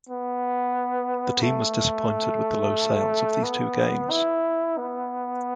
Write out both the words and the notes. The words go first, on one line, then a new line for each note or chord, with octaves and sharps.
The team was disappointed with the low sales of these two games.
B3
A3
B3
E4
B3